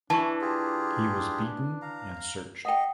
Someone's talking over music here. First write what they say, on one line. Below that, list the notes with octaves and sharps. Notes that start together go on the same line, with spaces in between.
He was beaten and searched.
E3 D4 A5 C#6
F4 G4 G#4
F5 A#5
D#5 F#5 G5